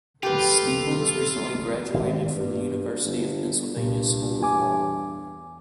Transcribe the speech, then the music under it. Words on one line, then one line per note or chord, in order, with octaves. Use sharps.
Stevens recently graduated from the University of Pennsylvania School of Law.
F4 G4 A4 B4
G#1
G2
G1
C2 G2 A#2
E2 G#5 D6